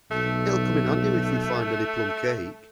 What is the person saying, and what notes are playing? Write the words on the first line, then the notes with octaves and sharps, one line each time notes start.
It’ll come in handy if we find any plum-cake.
B1 A3